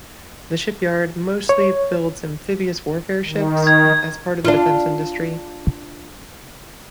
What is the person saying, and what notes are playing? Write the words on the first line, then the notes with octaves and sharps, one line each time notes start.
The shipyard mostly builds amphibious warfare ships as part of the defense industry.
C#5
D#3
G#6
D4 F4